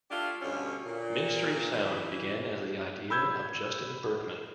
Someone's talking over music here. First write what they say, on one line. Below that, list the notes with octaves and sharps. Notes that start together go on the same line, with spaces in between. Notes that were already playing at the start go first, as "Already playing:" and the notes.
Ministry of Sound began as the idea of Justin Berkmann.
A3 D4 E4 F4 G4
D2 G2 B2 C#4
A#2
E3
B5 E6 G6 G#6